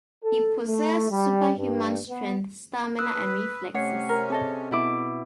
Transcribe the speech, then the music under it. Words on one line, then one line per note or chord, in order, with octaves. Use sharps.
He possessed superhuman strength, stamina, and reflexes.
A4
A3
G3
G2
B3
B4 D#6 E6 F#6
C3 A3 C#4 C#5 F#5 C#7
A#4
C4 G#4 A4 D#5
B2 E4 D6